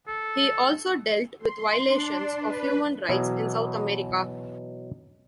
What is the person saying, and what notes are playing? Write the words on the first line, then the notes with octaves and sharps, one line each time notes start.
He also dealt with violations of human rights in South America.
A4
C6
D4
B4
B2 E3 F#3